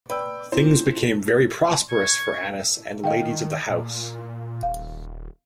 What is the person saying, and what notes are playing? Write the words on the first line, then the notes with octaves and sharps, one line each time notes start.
Things became very prosperous for Annis and the ladies of the house.
B4 D5 G5 E6
C4 E4 F4 C5
C#6 G#6
D#3 D#5 F5 G5
A#2
D#1 F5